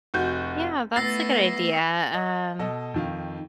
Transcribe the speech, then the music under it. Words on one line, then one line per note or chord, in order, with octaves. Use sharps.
Yeah, that's a good idea. Um,
F1 F#4 G6
A3 B3 E4 E6 A6 A#6 C7
D#5
B2 A4 D#5
F2 D#3 F5